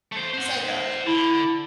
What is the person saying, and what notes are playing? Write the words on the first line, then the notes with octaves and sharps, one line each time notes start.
"Who's that guy?"
A3 C5
C5 F#5
D3 E4